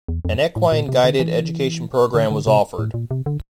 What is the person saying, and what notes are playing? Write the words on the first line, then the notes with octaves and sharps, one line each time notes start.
An equine-guided education program was offered.
E2
F2
A2
A#2
C3
D3
E3
D3
D3
C3
A2
A#2
C3
D3